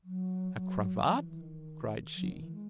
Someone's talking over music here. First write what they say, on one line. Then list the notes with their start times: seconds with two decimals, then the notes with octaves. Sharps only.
"A cravat!" cried she.
0.03 F#3
0.53 F#3
1.04 F#3
1.15 E3
1.28 E3
1.41 D#3
2.15 F#3
2.28 D#3
2.40 E3
2.52 G#3